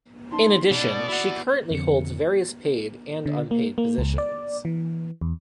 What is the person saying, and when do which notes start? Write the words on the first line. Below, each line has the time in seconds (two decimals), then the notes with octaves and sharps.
In addition, she currently holds various paid and unpaid positions.
0.32 C#4 D#4 A5 C6
0.71 B2 D5
1.09 E4 F#4 F#5
1.71 F2 D3 C#7
3.26 D3
3.51 A#3
3.78 A#3
3.98 C#2
4.18 D5
4.65 E3
5.21 E2